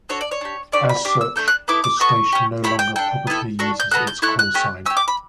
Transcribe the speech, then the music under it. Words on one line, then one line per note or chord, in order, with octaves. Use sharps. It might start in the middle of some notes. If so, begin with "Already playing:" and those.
As such, the station no longer publicly uses its callsign.
D4 F#4 A4 C#5
D5
C#5
D4 G4
A3 D4 G4 D5
B5
D4 G4 D6
E6
A3 D4 A4 G6
F#6
B3 E4 A4 D6
D6
B3 F#4 A4 C#6
C#4 G4
A3 E4 G4 B5
G5
D4 A4 G5
B3 E4 A4
D4 F#4 A4
G6
B3 F#4 A4 F#6
G6
A3 E4 A4 F#6
F#6
A3 C#4 G4
C#4 G4 E6
D6
B5